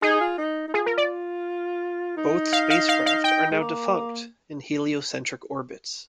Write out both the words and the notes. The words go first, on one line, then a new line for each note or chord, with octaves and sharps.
Both spacecraft are now defunct in heliocentric orbits.
D#4 G#4
F4
D#4
D#4
F4 G#4
A#4
D5
D#4
F5
F5
F5
F5
G5
G#3
A#3